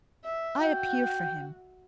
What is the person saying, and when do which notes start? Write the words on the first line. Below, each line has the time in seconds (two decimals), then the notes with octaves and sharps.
I appear for him.
0.24 E5
0.61 F#4 G5